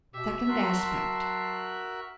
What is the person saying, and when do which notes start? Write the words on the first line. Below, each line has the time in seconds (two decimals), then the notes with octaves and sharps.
Second Aspect.
0.14 B2 G4 E5
0.48 F#3 F#4 A#4 A5 C6 F#6